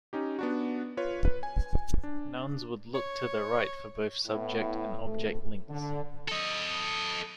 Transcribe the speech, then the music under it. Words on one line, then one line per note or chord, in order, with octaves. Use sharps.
Nouns would look to the right for both subject and object links.
C#4 D#4 G4
B3 D4 F#4
F4 B4 C#5
B4
G#5
D4
C#5
A2 B3 E4
G#1 A3
D3
A4 D#5